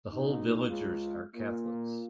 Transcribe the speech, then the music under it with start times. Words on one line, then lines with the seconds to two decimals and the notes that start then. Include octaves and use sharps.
The whole villagers are Catholics.
0.13 B2 D#4
0.69 G#3 F4
1.36 A#3 F4